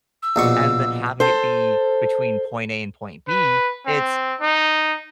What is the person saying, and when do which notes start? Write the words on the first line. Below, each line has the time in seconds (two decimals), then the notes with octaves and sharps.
And then having it be between point A and point B, it's,
0.23 E6
0.36 A#1 B2 C#6
1.20 A4 C5
3.28 B4
3.87 C4
4.41 D#4